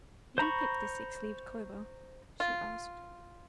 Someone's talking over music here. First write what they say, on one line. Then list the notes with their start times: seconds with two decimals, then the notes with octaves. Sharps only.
"Did you pick the six-leaved clover?" she asked.
0.38 C5 A#5 B5 C#6
2.40 F4